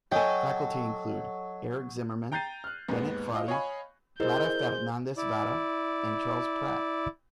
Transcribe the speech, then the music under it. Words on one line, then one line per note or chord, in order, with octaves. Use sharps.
Faculty include Eric Zimmerman, Bennett Foddy, Clara Fernandez-Vara, and Charles Pratt.
F#3 A4 D#5 G5 G#5
G5 A#5 G6 A6 C7 D#7
F6 F#6
D#2 G#2 G#3 B3
F4 D#5
C#5 D#5 F5 G#5 B5 C#6
E4 G#4 A#4 C5 D#5 G6
E4 D5